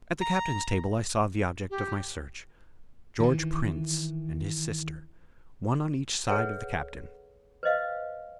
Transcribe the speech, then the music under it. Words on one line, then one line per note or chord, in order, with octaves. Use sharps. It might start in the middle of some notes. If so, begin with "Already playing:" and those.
At the Captain's table I saw the objects of my search: George Prince and his sister, one on each side of the Captain.
A#5
G4
D#3 E3
G#4 A4 B4 C#5 E5 F#5
B4 C5 D#5 F5